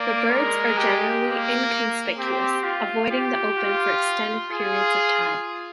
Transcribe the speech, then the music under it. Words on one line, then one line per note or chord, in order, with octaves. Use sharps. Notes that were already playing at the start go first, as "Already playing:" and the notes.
The birds are generally inconspicuous, avoiding the open for extended periods of time.
Already playing: A#3 D5
G#3 A#4
G4
A#3
C4 G4
F4
G4
F4
F4 G#4